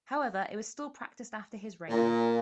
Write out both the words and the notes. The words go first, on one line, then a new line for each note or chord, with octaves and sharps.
However, it was still practiced after his reign.
A#2